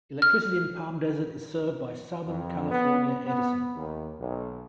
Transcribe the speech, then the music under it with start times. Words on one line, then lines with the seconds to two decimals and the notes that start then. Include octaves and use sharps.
Electricity in Palm Desert is served by Southern California Edison.
0.22 F6
2.27 F2
2.71 B3
3.26 B3
3.77 D#2
4.18 B1